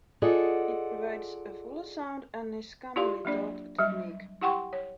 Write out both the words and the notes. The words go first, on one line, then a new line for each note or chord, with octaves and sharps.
It provides a fuller sound and is a commonly taught technique.
F4 G#4 A4 D5 D#5 F#5
E4 F4 G4 D5 F5 C6
F#3 A#3 D4 D5
F#3 G3 E5
E4 G4 F#5 G5 C6 C#6
C#5